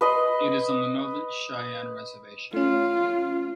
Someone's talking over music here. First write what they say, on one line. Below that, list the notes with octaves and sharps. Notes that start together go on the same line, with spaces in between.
It is on the Northern Cheyenne reservation.
B4 D#5 C6
A3 C#4 F4